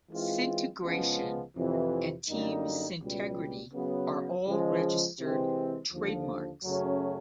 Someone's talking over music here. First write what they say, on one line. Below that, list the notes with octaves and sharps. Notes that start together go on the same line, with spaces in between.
"Syntegration" and "Team Syntegrity" are all registered trademarks.
E3 G#3 C4 F4
C#2 C#3 F3 G#3 B3
F2 C3 E3
F#2 D3 G3 A#3 D#4
C#2 B2 G3
C#3 F#3 B3
C#3 F3 G#3
C3 E3 G#3 C4
D#2 D3 F3
F#2 C#3 F#3 A3 C#4